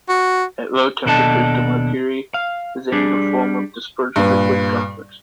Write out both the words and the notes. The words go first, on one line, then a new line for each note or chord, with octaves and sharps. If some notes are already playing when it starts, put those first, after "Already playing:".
At low temperatures the mercury is in the form of dispersed liquid droplets.
F#4
D#2 B2 D4 A4 D#5 A5
F5
G3 D4 G#4
G2 A#2 B4